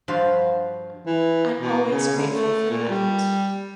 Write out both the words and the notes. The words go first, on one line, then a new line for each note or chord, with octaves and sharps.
I’m always grateful for that.
G2 F3 F#4 B4 C5 F5
E3
B2
C#3
D3
A3
A#2
G3